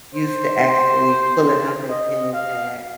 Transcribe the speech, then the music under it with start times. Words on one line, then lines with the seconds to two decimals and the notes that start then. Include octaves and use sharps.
used to actually pulling out that pen and pad.
0.15 C5
1.89 D#5
2.33 F5